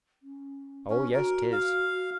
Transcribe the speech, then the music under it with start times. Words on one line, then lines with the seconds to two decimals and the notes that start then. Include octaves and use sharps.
Oh yes, 'tis.
0.22 C#4
0.90 C#4 D4
1.14 F#4 A#4
1.52 F5